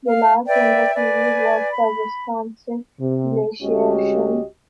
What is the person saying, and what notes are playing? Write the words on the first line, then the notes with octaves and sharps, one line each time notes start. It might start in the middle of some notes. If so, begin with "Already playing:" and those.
The last in the series was the Wisconsin glaciation.
F5
B4 D5 E5 G5
B4 D5 G#5
B5
C3
D2 G#3 C#4 F#4 G4 D#5